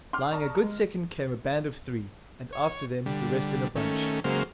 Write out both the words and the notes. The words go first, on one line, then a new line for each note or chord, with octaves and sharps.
Lying a good second came a band of three, and after them the rest in a bunch.
C6 D6 F6
D5 A5 A#5 C#6 D#6
G#3
C#5
D3 G3
D#3 A3 C#4
C#3 F#3 G#3 A#3 C5 F6